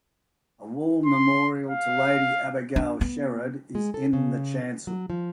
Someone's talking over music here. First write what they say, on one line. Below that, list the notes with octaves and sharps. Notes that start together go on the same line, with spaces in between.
A wall memorial to Lady Abigail Sherard is in the chancel.
C6
F5
D4
B3
G#3
A4
C#3
F#3
F3